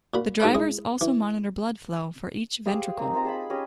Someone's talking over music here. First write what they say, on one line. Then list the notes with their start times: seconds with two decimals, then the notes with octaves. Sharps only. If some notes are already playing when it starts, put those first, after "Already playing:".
The drivers also monitor blood flow for each ventricle.
0.14 A#2 F#4 B5
0.40 G#2 F#4 A#4 C#5 F5 B5
0.55 G#3 E4 D#6
1.01 E3
2.66 G4 G#4 C5 F5
2.98 A#3 C4 D#4
3.14 C4 F4 C5 A#5
3.25 G#4 A5 B5
3.50 C#4 G4 G#4 D#5